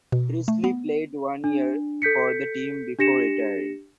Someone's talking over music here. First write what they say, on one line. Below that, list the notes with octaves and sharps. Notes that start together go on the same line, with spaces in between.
Presley played one year for the team before retiring.
B2
A3
B3
D4
A4 G6 B6 C#7
D4 G4 A#6 C#7 E7